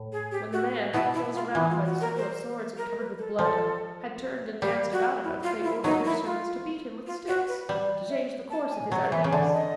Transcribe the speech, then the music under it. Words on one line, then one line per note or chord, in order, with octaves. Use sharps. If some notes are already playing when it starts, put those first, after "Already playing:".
When the man, closed round by the circle of swords and covered with blood, had turned and danced about enough, they ordered their servants to beat him with sticks, to change the course of his ideas.
Already playing: A2
G#4
G4
F#4
B2 B3 E4
E4
F4
E3 E4
F4
F#4
A#4
C5
A#4
B4
A4
F3 A4
G3 G4
F#4
E4
F4
E4
F#3 D#4
E4
F4
F4
F#4
B4
G3
E5
A5
G#5
F#3 F#5
E3 E5
C#3
D3 D5
D#5